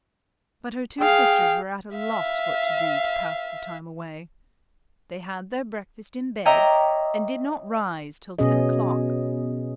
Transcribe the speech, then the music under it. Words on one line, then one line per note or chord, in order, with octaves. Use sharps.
But her two sisters were at a loss what to do to pass the time away: they had their breakfast in bed, and did not rise till ten o'clock.
G#4 F5 G5
E5 F5
C#5 D#5 E5 G5 A#5 D6
B2 B3 C#4 G#4 D#5